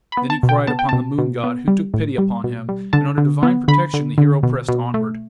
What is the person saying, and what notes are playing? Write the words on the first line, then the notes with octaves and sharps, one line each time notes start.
Then he cried upon the moon god, who took pity upon him, and under divine protection the hero pressed onward.
B5
B3
A5
B2
G5
B3 A5
G5
B2 A5
B2
B3
G3
A2
G3
B2
G3
D3 A5
D3
B3
D3 B5
D3
D3
B2
B2
A3